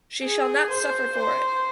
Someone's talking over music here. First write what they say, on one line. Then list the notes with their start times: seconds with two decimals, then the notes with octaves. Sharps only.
She shall not suffer for it!
0.24 G#4
0.70 C5
1.16 C5